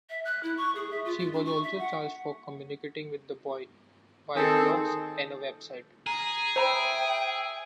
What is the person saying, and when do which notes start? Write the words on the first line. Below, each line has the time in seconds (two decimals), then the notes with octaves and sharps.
She was also charged for communicating with the boy via blogs and a website.
0.10 E5
0.25 F#6
0.43 E4
0.57 C#6
0.75 G#4
0.91 E5
1.05 F4
1.19 F4
1.33 D4
1.45 C#6
1.63 E5
1.79 F#5
4.36 D#3 C4 G#4 A4
6.07 G#4 A#5
6.56 C5 E5 G5 A#5 B5